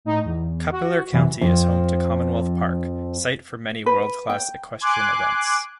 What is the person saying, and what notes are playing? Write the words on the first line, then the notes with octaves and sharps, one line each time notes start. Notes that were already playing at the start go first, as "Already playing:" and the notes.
Culpeper County is home to Commonwealth Park, site for many world-class equestrian events.
A2 D#4
E2
F#4
F#2 C3 E3
F2 F3
B4
G5
G#5 C6 D6 F#6